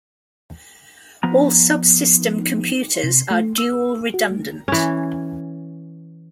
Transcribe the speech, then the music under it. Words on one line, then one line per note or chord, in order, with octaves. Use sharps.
All subsystem computers are dual redundant.
F3 B3 A#5
C3
A3
E6
F#4
A3
E3 C#4